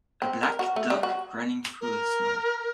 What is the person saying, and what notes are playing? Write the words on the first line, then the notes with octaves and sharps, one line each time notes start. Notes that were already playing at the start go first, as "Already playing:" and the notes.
A black dog running through the snow.
C4
A#4
F#4
A3
G3
F#4
A#4